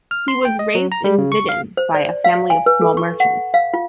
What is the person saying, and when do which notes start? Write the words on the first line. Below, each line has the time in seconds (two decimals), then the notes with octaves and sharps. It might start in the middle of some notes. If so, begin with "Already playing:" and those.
He was raised in Vidin by a family of small merchants.
0.11 F6
0.28 C6
0.45 G5
0.59 D#5
0.75 F#3
0.92 A#5
1.04 G3
1.18 C#3
1.32 C#6
1.49 F5
1.77 C5
1.94 D5
2.24 F5
2.50 G#5
2.66 B4
2.81 A4
2.97 C#6
3.20 F#5
3.54 F5
3.74 F4